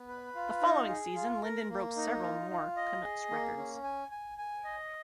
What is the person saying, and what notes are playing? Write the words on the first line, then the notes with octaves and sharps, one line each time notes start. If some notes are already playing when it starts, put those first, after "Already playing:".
The following season, Linden broke several more Canucks records.
Already playing: B3
B4
F4
D#4
G#4
F4
A#4
A#3
D#4
F4
F4
D#5
G#4
A#3
C#4
G#5
G#5
G#5
D#5